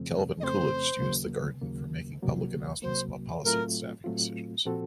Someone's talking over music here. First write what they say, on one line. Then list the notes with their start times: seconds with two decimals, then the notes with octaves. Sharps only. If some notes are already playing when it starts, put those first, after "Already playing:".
Calvin Coolidge used the garden for making public announcements about policy and staffing decisions.
Already playing: F2 C#3 F3 A3 C4
0.40 F2 C#3 F3 A3 C4 C5 D#5
1.00 D#2 C#3 F#3 A#3
1.61 D#2 C#3 F#3 A#3
2.22 C2 C3 F#3 A#3
2.82 C2 C3 F#3 A#3 C5
3.43 A2 F#3 A3 C4 F4 A#4
4.04 A2 F#3 A3 C4 F4
4.65 A#2 F3 C4 F#4 A4